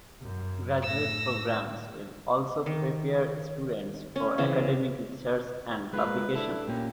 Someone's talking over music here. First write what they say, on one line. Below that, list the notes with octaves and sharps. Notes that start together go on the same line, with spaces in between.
Graduate programs will also prepare students for academic research and publication.
F#2
A2 E6 A#6
D#3
C#4
C#3 E3 C4
G#3 F4 A#4 B4
D4 E4 A4
A#2 A#3 C#4 G4